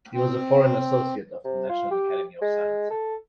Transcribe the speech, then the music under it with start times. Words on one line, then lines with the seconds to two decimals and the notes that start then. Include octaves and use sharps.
He was a foreign associate of the National Academy of Sciences.
0.14 C4
1.45 C3
1.69 F4
1.91 G4
2.42 G#3
2.91 A4